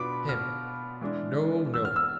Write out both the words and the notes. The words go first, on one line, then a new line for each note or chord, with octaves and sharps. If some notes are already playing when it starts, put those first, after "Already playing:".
HIM: No, no.
Already playing: B2 B3 D4 F4 B5 D6
F6
E3 G#3 D4
E6
F6
E6